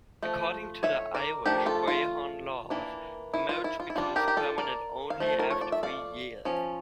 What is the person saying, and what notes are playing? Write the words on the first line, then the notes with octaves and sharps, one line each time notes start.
According to Irish "Brehon Laws," a marriage becomes permanent only after three years.
F3 A3
C#5 E5
A#4 D5
F3 A3 D4 G4 A#4
F4 A4
F4
E3 A#3 D4
E4
F4
E4
F4
E4
G3 D4 F4
G4 A#4
G4
F4 A4
A#4 D5
F5
F3 A3
A#4
C#5
D5
E5
D5 F5
F3 C#4